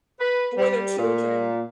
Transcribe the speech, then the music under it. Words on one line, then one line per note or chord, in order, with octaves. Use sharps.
For their children
B4
G3
A#2